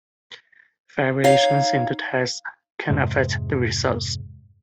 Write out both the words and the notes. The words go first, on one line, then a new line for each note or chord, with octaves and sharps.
Variations in the test can affect the results.
D#4 C#5 F5
F2 G#2 C3 G#3